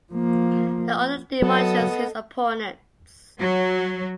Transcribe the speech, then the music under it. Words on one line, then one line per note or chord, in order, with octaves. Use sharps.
The author demolishes his opponents.
F3 A#3
F#3 B3 A4 D#5
F#3